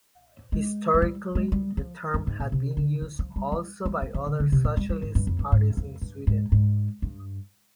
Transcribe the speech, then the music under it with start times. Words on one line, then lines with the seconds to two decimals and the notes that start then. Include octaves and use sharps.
Historically the term had been used also by other socialist parties in Sweden.
0.52 G#3
0.94 G#3
1.02 G3
1.35 G#3
1.52 G3
1.77 F3
2.14 G2
2.27 G#2
2.40 A#2
2.52 C3
2.77 D3
3.02 D#3
3.19 F3
3.36 G3
3.52 G3
3.86 G3
4.02 F3
4.14 F3
4.27 D3
4.40 D3
4.52 C3
4.64 A#2
4.77 G3
4.89 G3
5.02 G#2
5.15 G2
5.27 F2
5.39 G2
5.52 G#2
5.77 F2
6.02 G2
6.27 G#2
6.52 G#2
7.02 G2